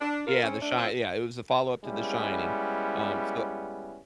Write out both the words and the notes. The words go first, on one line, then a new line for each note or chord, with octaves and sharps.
Yeah, The Shine yeah, it was a follow-up to The Shining, um, so
D4
F4 A#4
C#3 C4 C#4
A3 D4
C4 F4
G3 G#3 B3 C#4 E4